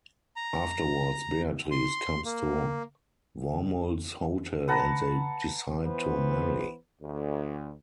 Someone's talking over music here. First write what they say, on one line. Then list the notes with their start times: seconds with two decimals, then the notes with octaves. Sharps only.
Afterwards, Beatrice comes to Wormold's hotel, and they decide to marry.
0.36 A#5
1.71 C6
2.25 A#3
4.68 B4 F#5 A5 A#5
5.85 E3 B3 C5
7.02 D2